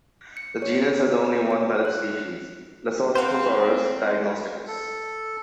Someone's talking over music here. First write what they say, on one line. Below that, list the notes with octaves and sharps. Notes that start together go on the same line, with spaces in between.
The genus has only one valid species, Lesothosaurus diagnosticus.
C#7
C#5
C#5
F#6
C4 B4 C5 F5 F#5
A4